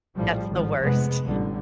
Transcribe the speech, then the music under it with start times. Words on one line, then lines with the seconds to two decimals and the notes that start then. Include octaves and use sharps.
That's the worst.
0.16 A#1 A2 F3 G3
0.49 G#1 A2 F3
0.81 F1 C3 G#3 B3
1.24 A1 D3 G3